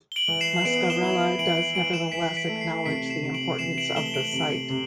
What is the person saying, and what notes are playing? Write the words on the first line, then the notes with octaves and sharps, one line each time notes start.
Muscarella does nevertheless acknowledge the importance of the site.
G7
D7 F#7
E3
C7 E7
B3 D7 F#7
E7 G7
E4
E3 D7 F#7
D7 F#7
E3 D7 F#7
C7 E7
E3 B6 D7
B6 D7
A3
C7
C3 B6 D7
C7 E7
C3
D7 F#7
E3 C7 E7
D7 F#7
A3 E7 G7
G7
D7 F#7
C3 D7 F#7
C3